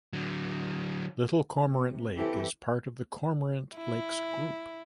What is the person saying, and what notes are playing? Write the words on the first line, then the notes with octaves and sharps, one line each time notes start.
Little Cormorant Lake is part of the Cormorant Lakes group.
D3 F#3
C3
E3 C4 E4 G4 A4
E4